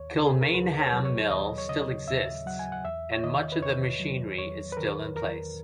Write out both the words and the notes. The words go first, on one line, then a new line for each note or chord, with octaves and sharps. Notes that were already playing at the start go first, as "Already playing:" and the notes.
Kilmainham mill still exists and much of the machinery is still in place.
Already playing: D#2 C#5
C#3
G#4
A#4
D#2 B4
C#5
F#3
C#5
D#2 D#5
C#5
C#3 D#5
D#2 E5
F#3 F#5
G#5
F#5
E2 E5
C#5
D#3 D#5
B4
E2 C#5
F#3
E2 C#5
B4
D#3 A#4
E2 A#4